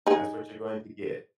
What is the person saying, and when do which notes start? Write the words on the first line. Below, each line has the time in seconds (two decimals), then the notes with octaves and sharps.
That's what you're going to get.
0.06 D#4 G#4